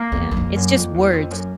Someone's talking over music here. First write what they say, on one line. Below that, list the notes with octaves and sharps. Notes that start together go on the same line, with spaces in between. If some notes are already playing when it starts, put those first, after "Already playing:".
Yeah. It's just words.
Already playing: A#3
E2
E2
F2
F#2
F2
E2
F2
F#2